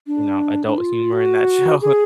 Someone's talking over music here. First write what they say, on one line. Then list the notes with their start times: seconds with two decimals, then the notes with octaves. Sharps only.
you know, adult humor in that show
0.07 D4
0.66 D4
0.78 F4
1.12 F#4
1.81 G#4